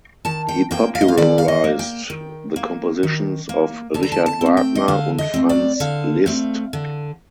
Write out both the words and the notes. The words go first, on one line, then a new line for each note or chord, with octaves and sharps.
He popularised the compositions of Richard Wagner and Franz Liszt.
D#3 A5
G5
A#3 G5
F5
D#5
F5
D#3 D5
F5
D#5
A#3
G5
D#3
A#3
D#3
A#3
D3 A5
A#5
A5
A5
A3 C4
G5
D#5
D3 F5
D#5
A3 C4
D5
D3 F5
A3 C4
D3